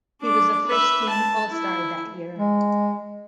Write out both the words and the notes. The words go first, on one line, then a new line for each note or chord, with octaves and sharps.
He was a first team All Star that year.
D4 D6
B4 E5
A5
E4
G#3